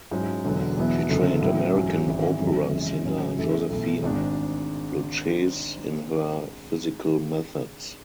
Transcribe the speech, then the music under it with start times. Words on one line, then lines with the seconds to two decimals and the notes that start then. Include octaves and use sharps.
She trained American opera singer Josephine Lucchese in her physical methods.
0.11 G#2 F#3 C#4 E4
0.45 E1 E2 D3 F#3 B3
0.77 E2 B2 F#3 B3 E4
1.09 F#1 F#2 D3 A3
1.42 A2 F#3 C#4 E4
1.75 A1 G#2 F#3 C#4
2.07 G#1 G#2 E3
2.39 G#1 F#2 D3 F#3 A3
2.72 F#1 F#2 E3 G#3
3.05 A1 A2 F#3 C#4
3.37 F#2 C#3 E3 A3 E4
3.70 B1 B2 A3 E4
4.03 G#1 G#2 G#3 D4